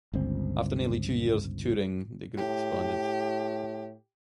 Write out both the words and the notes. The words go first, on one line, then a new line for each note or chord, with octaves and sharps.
After nearly two years of touring, the group disbanded.
G1 C#2 C4
A2 G4